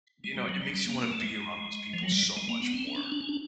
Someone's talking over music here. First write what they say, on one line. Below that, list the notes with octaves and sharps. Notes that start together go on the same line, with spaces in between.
you know, it makes you wanna be around those people so much more.
G#3
G3
F#3
G3
G3
A#3
B3
A#3
A3
G#3
F3
F#3
G3
G#3
A#3
B3
C4
C#4
D4
C#4
D4
C#4
D4